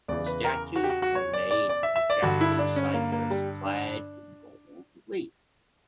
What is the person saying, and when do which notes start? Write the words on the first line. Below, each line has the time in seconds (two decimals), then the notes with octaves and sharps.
The statues are made of Japanese cypress clad in gold leaf.
0.08 E2 C#3 E3 D5
0.26 B4
0.45 A#4
0.76 F#4
0.84 G4
0.89 F#4
1.02 F#4
1.15 C#5
1.33 D5
1.51 D5
1.69 D5
1.83 E5
1.96 E5
2.10 D5
2.22 G2 D3 F#4
2.41 E4
2.59 D4
2.76 C#4
2.94 A#3
3.12 A#3
3.30 G3
3.65 D4